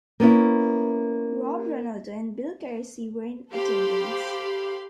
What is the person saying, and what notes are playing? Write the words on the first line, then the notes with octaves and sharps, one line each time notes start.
Rob Ronaldo and Bill Carinci were in attendance.
A#3 B3 C#4 E4
G4 A4 C5 F5 B5 C6